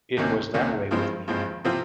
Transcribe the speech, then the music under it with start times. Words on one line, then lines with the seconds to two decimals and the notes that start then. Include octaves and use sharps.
It was that way with me now.
0.17 C#2 C3 D#3 A#3 C#4
0.54 C#2 C3 D#3 A#3 C#4
0.91 G2 F3 G#3 C4
1.28 G2 F3 G#3 C4
1.64 C3 F3 C4 F4